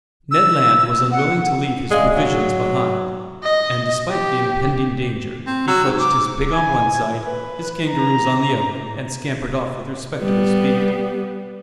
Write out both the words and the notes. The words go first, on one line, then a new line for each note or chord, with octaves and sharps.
Ned Land was unwilling to leave his provisions behind, and despite the impending danger, he clutched his pig on one side, his kangaroos on the other, and scampered off with respectable speed.
E6
F#5
G#3 D5 F5 G#5
F#3
D#5
G4
C4
F#3 E6
G#2
D6
G#5
B4
A#5
G3 B3